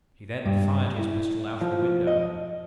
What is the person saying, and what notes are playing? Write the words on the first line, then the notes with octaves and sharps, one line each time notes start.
He then fired his pistol out of the window.
G2
E4
F3
D#5